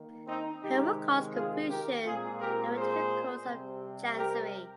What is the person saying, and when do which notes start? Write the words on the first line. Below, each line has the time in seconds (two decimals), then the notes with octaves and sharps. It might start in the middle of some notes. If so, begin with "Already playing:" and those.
Her will caused confusion and went to the courts of chancery.
Already playing: D#3 A#3
0.27 C4 D#4
0.62 C3 D#3 G#3 C4 D#4 G4
1.33 F4 G#4
1.69 G4 A#4
2.04 A#2 G#3 C4 F4 G#4
2.40 G4 A#4
2.75 G#4 C5
3.46 C3 G3 C4
4.16 G4 A#4